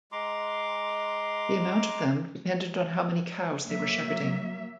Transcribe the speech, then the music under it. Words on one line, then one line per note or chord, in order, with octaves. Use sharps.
The amount of them depended on how many cows they were shepherding.
G#3 A#5 C6 D6
F#3 A#3 E5